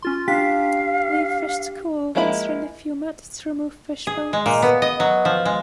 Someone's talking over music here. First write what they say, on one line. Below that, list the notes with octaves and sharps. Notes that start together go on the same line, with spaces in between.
Leave fish to cool and strain the fumet to remove fish bones.
C#4 F4 C6
D4 G4 F5 B6
F3 G#3 A#3 E4 B5
G#4
G#3
A#2
B3
D#5
F#3
F3
G#3